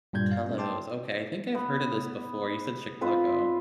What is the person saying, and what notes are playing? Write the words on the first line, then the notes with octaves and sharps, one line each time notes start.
Portillo's. Okay, I think I've heard of this before. You said Chicago.
G2 A#2 G3 G6 G#6
F5
A3 C#4
G5 A5 C6 D6
B3
C4 F4 B4 C5